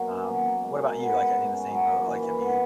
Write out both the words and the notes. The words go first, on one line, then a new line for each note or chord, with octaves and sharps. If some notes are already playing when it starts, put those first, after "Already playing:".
Um, what about you? Like, in the same boat? Like, have you
Already playing: B2 F#3 A#3
C#4
F#3
A#3
G#3
A#4
B3
F#4
G#2
C#4
F#3
A#3
E3
E3
B3